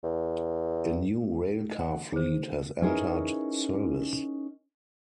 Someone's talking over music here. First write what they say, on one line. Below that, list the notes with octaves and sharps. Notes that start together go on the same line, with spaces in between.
A new railcar fleet has entered service.
E2
D#5 F#5
D#3 G#4 C5
C#4 D#4 E4 G#4 A#4 B4